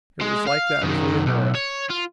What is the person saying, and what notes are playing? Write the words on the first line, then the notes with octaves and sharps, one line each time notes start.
It was like that with Leonora.
G#3
F5
F#2 D#3
B1
C#5
F4